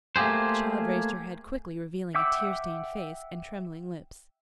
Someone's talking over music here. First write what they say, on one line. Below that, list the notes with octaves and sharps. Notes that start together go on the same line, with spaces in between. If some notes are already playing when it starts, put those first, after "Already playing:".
The child raised her head quickly, revealing a tear-stained face and trembling lips.
A3 A#3 G4 G#4 C5
E5 F#5 G5 D6 E6